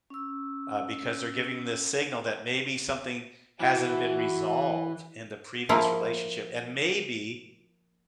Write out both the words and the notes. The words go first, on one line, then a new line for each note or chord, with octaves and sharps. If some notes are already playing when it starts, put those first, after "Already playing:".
Uh, because they're giving this signal that maybe something hasn't been resolved in the previous relationship, and maybe
C#4 E6
E3 F#4
F3 A#3 E4